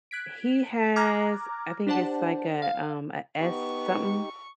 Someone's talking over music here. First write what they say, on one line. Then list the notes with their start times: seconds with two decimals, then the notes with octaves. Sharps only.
He has, I think it's like a, um, a S something.
0.11 F#6 G#6 B6 D7
0.96 A#5 D6 F6 F#6 G#6 A#6
1.87 D4 G4 C5 D5 F#5 A5
2.62 F5
3.40 B3 D#4 G4 C#6